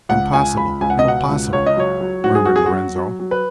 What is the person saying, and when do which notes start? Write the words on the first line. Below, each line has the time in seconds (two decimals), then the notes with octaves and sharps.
"Impossible, impossible!" murmured Lorenzo.
0.09 C#2 F#5
0.33 C#2 G#5
0.57 C#2 B5
0.81 C#2 G#5
0.90 F#5
0.99 D#5
1.05 B2 F#5
1.29 C#2
1.53 C#2 C#5
1.66 D#5
1.76 F#3 C#5
2.01 F#3
2.24 G#2 F#4
2.35 G#4
2.45 F#3 F#4
2.56 G#4
2.66 F#4
2.72 F#3
2.96 F#3
3.20 F#3
3.31 B4